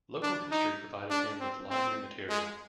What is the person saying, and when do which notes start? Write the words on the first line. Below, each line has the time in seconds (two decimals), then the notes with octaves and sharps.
Local history provided him with lively material.
0.22 D4
0.51 D#4
1.10 D4
1.41 C4
1.70 C4
2.29 G#3